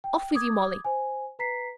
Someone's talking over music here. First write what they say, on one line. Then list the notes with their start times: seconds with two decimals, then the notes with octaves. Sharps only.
Off with you, Molly.
0.04 G5
0.35 D6 D#6 G#6
0.85 C5 G#5
1.39 B4 A#5 B6 C7